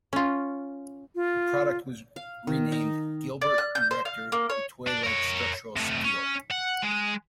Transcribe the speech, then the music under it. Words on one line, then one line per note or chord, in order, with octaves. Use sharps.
The product was renamed "Gilbert Erector, The Toy Like Structural Steel".
C#4 F4
F4
F5
D#3
D#4
D5
F#6
G6
C5
F5
A#3
C#5
D4 D5
A#4 C#5
C3 A3
C#4
F#5
G#3